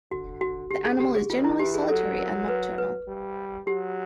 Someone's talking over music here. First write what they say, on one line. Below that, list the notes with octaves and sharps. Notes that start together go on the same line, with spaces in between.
The animal is generally solitary and nocturnal.
D3 F#4
F#4
D3 G4
G#4
G4
G#4
D#3 F4
E4
E3 G4
G#4
F#3 A4
A#4
B4
B4
G3
F#3 G4